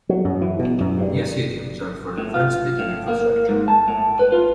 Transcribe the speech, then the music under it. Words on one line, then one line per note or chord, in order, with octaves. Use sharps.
New city reserved for the French speaking infrastructure.
F#3
F#2
E3
B2
F#2
G2
A2
F4
A2
A#3
G#2
A5
A2
B4
F4